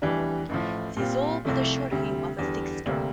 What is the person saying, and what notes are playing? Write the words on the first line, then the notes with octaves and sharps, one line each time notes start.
This all but assured him of a sixth term.
F1 E2 E3 G3 D4
A1 A2 F3
A#2 G3 C4 F4
C2 C3 F3 A3
D2 C3 G3
E2 D3 G3
D2 C3 G3 A#3 D4